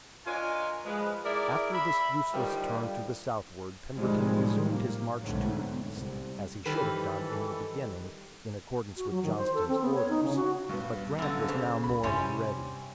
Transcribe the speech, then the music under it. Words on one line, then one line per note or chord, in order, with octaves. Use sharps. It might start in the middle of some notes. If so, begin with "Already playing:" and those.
After this useless turn to the southward Pemberton resumed his march to the east, as he should have done in the beginning, in accordance with Johnston's orders; but Grant was now more than ready.
D4 F4 A#4 C#5 D#5 G#5
F3 G#3 B4
E4 G#4 A#4 D5
E5 B5
D3 D#3 F3 G3
C2 A2 D#3 F3 G3 G#3
A#3
B1 F2 G#2 D3 F#3 A3
C2
D#3 E3 G3 G4 A4 B4 C5
F#4
F#3
D#3
C5
A4
C4
B3
C#5
D#4
C#3
F#4
D#1 G2 B3 C#4
F#2 D3
C#3 C5
D2 G#2 B5
G2 C3 G3 C4 C#4 E4 G#5